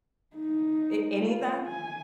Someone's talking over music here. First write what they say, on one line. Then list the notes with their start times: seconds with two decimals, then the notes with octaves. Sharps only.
A any of that?
0.37 D#4
1.20 F4
1.67 G#5